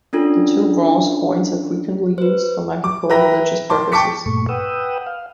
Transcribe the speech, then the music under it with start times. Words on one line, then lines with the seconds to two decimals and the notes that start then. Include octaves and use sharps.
The two bronze coins are frequently used for magico-religious purposes.
0.13 C#4 D4 F4 A4
2.18 B4 C5
2.84 D6
3.10 B4 E5 G5 A#5 B5 A#6
3.70 A5 C6 D6
3.92 G5 A5 C#6 D6 B6 C#7
4.26 G2 A#2 A3 C#6
4.49 B4 F#5 G5 D#6 E6
5.07 F5